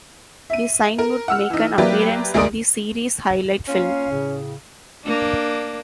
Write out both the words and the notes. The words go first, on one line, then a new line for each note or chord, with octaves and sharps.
The sign would make an appearance in the Series highlight film.
E5 D#7
A#4
F#5 E6 F6
E3 D#4
F#3 A#3 G4 B4 D5 E5
D2 G#3 A#4 D5 D#6 D7
A#3 C#4 F4 F5
A2 C#3
A#3 D4